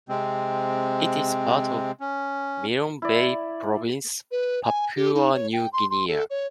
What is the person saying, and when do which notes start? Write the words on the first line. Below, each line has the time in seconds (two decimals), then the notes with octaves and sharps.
It is part of Milne Bay Province, Papua New Guinea.
0.09 C3 G#3 C4
2.00 C#4
3.02 E4 D5
4.31 B4
4.64 G#5
4.97 G4
5.14 D#4
5.33 C#5
5.53 G5
5.73 C6
5.90 C6
6.08 A4
6.30 C#5